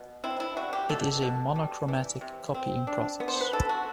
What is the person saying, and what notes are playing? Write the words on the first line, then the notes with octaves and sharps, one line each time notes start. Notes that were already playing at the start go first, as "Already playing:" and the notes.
It is a monochromatic copying process.
Already playing: B2
C4 E4
E4
G3 F#4
G4
B2 A4
B2
G3
E3
C3
C4
D4
B3
C5
B4
E3 A4
F#4